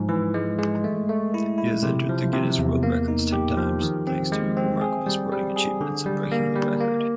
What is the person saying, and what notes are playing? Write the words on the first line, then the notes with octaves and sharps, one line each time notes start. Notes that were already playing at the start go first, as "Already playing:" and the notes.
He has entered the Guinness World Records ten times thanks to remarkable sporting achievements.
Already playing: G#2 F3
E3
G#3
G#3
A3
A3
E4
E4
C3
F3
C3
E2
A#3
D#4
G4
F3
D#3
C4
G#3
C4
G#4
G3
G3
G#4
D3
G3
A#3
G3
A#3